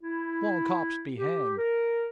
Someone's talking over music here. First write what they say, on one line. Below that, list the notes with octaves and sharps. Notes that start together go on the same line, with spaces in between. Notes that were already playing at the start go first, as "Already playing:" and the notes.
Small cops be hanged!
E4
G4
A#4